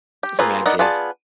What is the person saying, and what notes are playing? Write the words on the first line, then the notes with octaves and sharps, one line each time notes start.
It's a man cave.
G4
A#3 C4 F4 G#4 B4
B3 D#4 A#4 D5
B3 F4 G#4 D5 A5